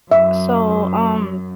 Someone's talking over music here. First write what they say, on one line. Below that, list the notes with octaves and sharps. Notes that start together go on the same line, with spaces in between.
so, um,
F#2 E5